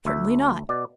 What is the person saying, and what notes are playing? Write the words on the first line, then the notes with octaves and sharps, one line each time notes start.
"Certainly not."
D2 E5
B2 D5